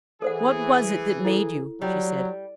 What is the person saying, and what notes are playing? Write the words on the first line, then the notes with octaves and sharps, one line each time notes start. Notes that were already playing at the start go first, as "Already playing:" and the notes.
"What was it that made you?" she said.
E3 G#4 A4 C5 F#5
E4 A4
F#3 G3